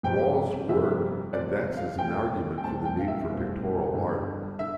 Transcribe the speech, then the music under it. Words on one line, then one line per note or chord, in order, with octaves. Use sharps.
Wall's work advances an argument for the need for pictorial art.
G1 F2 C3 G3 C4 G5
G1 F2 C3 G3 C4 E5
D2 C3 F3 C4 D5
F5
D2 C3 F3 C4 G5
G5
C2 B2 A3 C4 A5
G5
F5
E5
C2 B2 A3 C4
G1 G2 D3
D3 E5